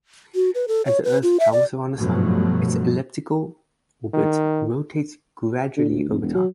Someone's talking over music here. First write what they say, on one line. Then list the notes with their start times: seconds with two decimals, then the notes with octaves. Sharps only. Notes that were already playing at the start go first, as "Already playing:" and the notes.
As the Earth travels around the Sun, its elliptical orbit rotates gradually over time.
0.35 F#4
0.55 B4
0.68 A4
0.86 C#5
1.04 B4
1.23 F4
1.40 E5
1.53 D5
1.98 G2 B2 F3 F#3 A3
4.13 D#3
5.77 D3
5.89 D2
6.09 F1
6.21 E1
6.34 F#3